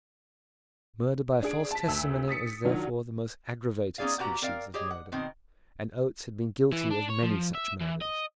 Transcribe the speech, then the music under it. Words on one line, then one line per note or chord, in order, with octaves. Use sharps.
Murder by false testimony is therefore the most aggravated species of murder; and Oates had been guilty of many such murders.
D4 G#4 D7
A5 B6
D2 E6
D#6 A6 B6 C#7
D#3 F#3 D4 F4
B3 C#4 D#4 G#4 D5 F5
A#2 B3 F#4 G4 F#5 A#5
C4 A#4 D5 F5
G4 G#4 C#5 D#5
F#5
B2 D#3 C4
E3
D4
C#5
F3
E5
E3
D#5